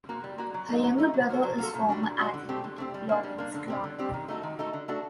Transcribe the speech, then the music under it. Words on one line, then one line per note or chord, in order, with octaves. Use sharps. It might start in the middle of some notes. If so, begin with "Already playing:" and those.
Her younger brother is former athlete Lawrence Clarke.
A#3 F#4
G3
A#3 F#4
F#3
A3 D#4
F#3
A3 D#4
F#3
A#3 F#4 A4
F#3
A#3 F#4 A4
A#2
G3 D4 F#4
A#2
G3 D4 F#4
D3
A3 C4 G4
D3
A3 C4 G4
G3
A#3 D4
G3
A#3 D4
D3
G3 C4 G4
D3
G3 C4 G4
D#3
A3 D#4 F#4 A4
D#3
A3 D#4 F#4 A4
D3
A3 D4 F#4 A4